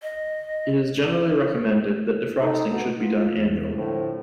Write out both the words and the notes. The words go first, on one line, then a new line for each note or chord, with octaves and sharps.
It is generally recommended that defrosting should be done annually.
D#5
C3 D#4 A4
B3 F#4
F4
E2
A2 D3 F3 C4